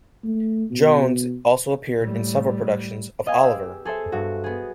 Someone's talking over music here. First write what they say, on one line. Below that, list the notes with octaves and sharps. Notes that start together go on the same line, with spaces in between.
Jones also appeared in several productions of Oliver!
A3
B2
A2 G3
B3 D#5 F5 G#5
G4 G#4 E6
G#4 A4 C5 E5
G2 F#4
B3 G#4